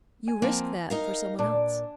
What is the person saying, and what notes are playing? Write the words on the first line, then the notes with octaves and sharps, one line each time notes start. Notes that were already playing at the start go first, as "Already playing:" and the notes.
"You risk that for some one else."
G#5
F3 A#3 C4
D#4 A#4 F5
A#2 D4 D5